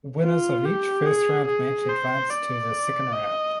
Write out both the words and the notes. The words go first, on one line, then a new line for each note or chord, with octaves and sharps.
The winners of each first round match advanced to the second round.
F4
G4
G#4
G#4
C5
D5
D#5